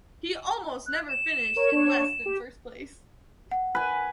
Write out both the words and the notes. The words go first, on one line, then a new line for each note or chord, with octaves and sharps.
He almost never finished in less than first place.
F#6
E7
A#4 C#5
D4 C#5
G4
F#5
B4 G#5